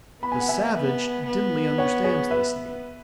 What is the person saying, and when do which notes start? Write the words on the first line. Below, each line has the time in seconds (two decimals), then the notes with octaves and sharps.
The savage dimly understands this need.
0.22 B3 B5
0.32 G#5
0.40 F#5
0.48 E5 G#5
0.75 B3
1.27 B3
1.78 C#5 F#5
2.04 G#4 C#5
2.30 B4 E5